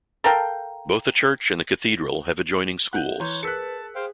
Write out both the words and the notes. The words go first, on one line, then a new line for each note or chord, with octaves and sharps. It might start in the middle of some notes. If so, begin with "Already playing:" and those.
Both the church and the cathedral have adjoining schools.
A4 A#4 F5 G5
F#5 F#6 G6
E3 C#5 A#5 C6 G6
G#4 A#4 B4 A5 E6 F#6 B6 C#7
G#4 C5 F5 G5